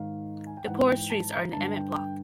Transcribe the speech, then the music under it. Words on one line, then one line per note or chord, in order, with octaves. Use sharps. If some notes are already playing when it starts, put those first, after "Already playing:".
The poorest streets are in the Emmett Block.
Already playing: G#2 D#3 F5
G#5
G5
G#2 E3 F#5
G5
A5
A#5
G2 D3 A5
G5
G5